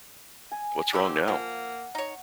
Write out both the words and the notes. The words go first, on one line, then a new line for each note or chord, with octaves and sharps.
What's wrong now?
G#5
D3 B3 C4 G4 E6
F3 A#3 F#5
D#4 C#5